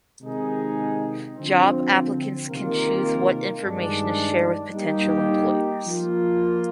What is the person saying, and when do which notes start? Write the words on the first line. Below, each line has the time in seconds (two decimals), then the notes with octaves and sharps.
Job applicants can choose what information to share with potential employers.
0.21 C3 D#3 G#3 D#4 G#4
1.34 D3 F3 C4
2.47 C3 D#3 A#3 F4 A#4
3.60 G2 D#3 G#3 D4
4.73 G3 A#3 D#4 G4
5.86 F3 A#3 F4